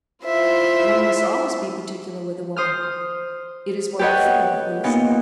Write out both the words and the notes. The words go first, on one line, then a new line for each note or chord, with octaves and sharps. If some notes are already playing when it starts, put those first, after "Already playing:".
"One must always be particular with a woman; it is what I feel, at least."
E4 F4 C5 E5
C5 D#6 F6
G4 A4 B4 C#5 D#5 F#5
A#2 B3 D#4